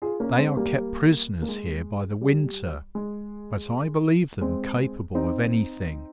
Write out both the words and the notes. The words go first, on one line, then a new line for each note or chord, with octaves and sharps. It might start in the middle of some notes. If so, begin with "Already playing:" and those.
They are kept prisoners here by the winter, but I believe them capable of anything.
F4 G#4
A#3 C#4
G#3 C4
G3 A#3
A#3
G#3
G3
G#3
G#3 C4
C4 D#4